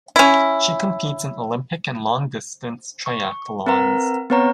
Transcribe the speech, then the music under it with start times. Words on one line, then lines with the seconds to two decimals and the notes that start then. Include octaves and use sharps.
She competes in Olympic and Long Distance Triathlons.
0.16 C#4 E4
3.06 C#6
3.66 C4 A#4 B4 F5 A#5
4.30 B3 C4 B4 C#5 A#5 C#6